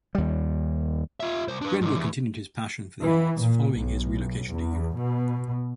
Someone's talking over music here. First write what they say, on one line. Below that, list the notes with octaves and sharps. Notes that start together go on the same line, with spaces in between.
Brendle continued his passion for the arts following his relocation to Europe.
D#2 G3
F4 E5
C2 C5
D4 B4
G#2 D3
E2
E3
A#2
B1
E2
B2